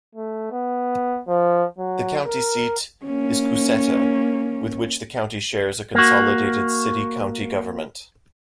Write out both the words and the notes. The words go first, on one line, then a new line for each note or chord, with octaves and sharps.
The county seat is Cusseta, with which the county shares a consolidated city-county government.
A3
B3
F3
F#3
A#4
A#3 C#4
A#3 F#4